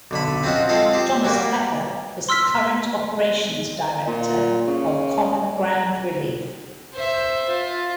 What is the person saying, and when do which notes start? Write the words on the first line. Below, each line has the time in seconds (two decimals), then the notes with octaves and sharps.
Thomas Pepper is the current operations director of Common Ground Relief.
0.11 B1 D3 B5
0.43 C4 C#4 F4 F#4 D#5
0.69 G#3 C4 F4 A4 D#5
0.93 G4 C5
1.25 G3 A#3 F#4
2.29 C6 E6 F6 B6
4.07 A#2
4.67 C#3
6.94 C5 E5
7.48 F4